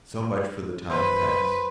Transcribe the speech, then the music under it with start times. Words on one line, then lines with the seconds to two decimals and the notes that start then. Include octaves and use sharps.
So much for the time past.
0.90 F#2 B4 C5